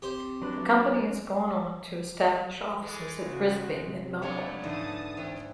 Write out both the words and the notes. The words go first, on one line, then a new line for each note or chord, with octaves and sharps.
The company has since gone on to establish offices at Brisbane and Melbourne.
C4 G4 C5
F#3 D4 B4
E3 G#3 A3
C#3 F#4
F#2 C3
F3 A3 B3 D4 F4 C#5
G#2 D3 E3 A5 D#6
E3 C4